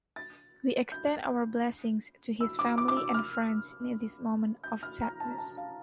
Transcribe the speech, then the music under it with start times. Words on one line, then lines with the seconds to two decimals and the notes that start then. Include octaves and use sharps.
We extend our blessings to his family and friends in this moment of sadness.
0.16 A6
0.92 G6
2.40 E6
2.59 D6
2.78 D6
2.88 D6
2.97 E6
3.14 F6
4.64 G6
4.83 F6
5.02 A#5
5.20 A5
5.38 A5
5.57 F5